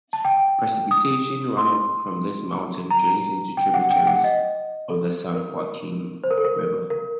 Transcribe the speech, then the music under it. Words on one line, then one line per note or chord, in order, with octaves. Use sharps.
Precipitation runoff from this mountain drains into tributaries of the San Joaquin River.
A5
G5
D#6
C6
A#5
G5
F#5
G5
F#5
D#5
A4
A#4
C5
A#4
A4
A#4
A#4